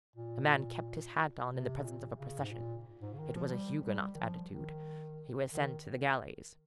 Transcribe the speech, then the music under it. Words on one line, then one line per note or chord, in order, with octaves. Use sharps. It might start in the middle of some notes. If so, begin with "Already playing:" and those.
A man kept his hat on in the presence of a procession--it was a Huguenot attitude; he was sent to the galleys.
A#2
C3
C3
A#2
C#3
G#2
A#2
G#2
C#3
D#3
F3
F3
G3
G3
D#3
F3
D#3
D#3